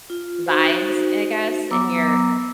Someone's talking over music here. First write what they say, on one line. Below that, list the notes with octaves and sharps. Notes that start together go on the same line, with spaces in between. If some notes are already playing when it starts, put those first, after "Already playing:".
vibes, I guess, in your
F4
D#4 F#4 C5
F#3 B3 A#5 D6 E6